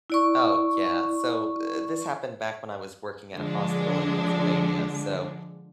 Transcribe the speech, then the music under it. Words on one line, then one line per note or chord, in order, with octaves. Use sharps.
Oh, yeah, so, eh, this happened back when I was working at a hospital in Pennsylvania. So,
E4 D5 C#6
D3 F3 G#3 D4